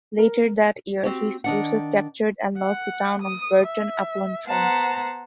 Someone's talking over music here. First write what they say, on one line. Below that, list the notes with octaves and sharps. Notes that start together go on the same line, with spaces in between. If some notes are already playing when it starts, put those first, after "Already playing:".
Later that year, his forces captured and lost the town of Burton upon Trent.
A#4
C4 F#4 G4
D#3 D4 F#5
F#5
D#6
E5
B3 C5 F#5 A5 A#5